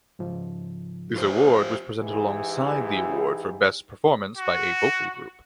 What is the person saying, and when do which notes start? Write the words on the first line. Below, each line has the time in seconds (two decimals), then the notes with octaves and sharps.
This award was presented alongside the award for Best Performance by a Vocal Group.
0.19 G#2 C#3 F3
1.16 F4 G4 C5
1.98 G#2 E3 E4 G4 G#4
4.37 F#4